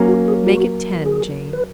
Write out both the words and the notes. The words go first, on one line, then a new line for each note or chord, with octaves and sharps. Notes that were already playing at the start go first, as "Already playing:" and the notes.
"Make it ten, Jane."
Already playing: F#3 A#3 C#4
F#4
G#4
F#4
G#4
B4